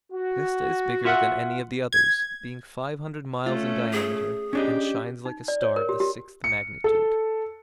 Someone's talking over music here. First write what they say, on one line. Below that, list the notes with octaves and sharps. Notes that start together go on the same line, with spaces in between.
Vesta is bigger than any of the others, being five hundred miles in diameter, and shines like a star of the sixth magnitude.
F#4
F4 E5 F#5
G#6
A3 C#4 F4
G#4
C#4 D4 G4 D#5
D#4
D5
C#5
A#4
G4
G4
C#7
A4